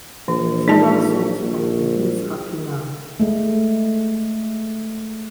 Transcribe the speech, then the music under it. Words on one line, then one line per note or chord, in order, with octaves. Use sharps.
Several songs from the Who's Happy Now?
A#1 E3
D#4 D5 A5
A#1
G#3 A3